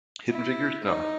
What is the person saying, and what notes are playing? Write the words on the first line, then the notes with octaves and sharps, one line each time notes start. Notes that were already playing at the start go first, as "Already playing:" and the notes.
Hidden figures? No.
E4
D#4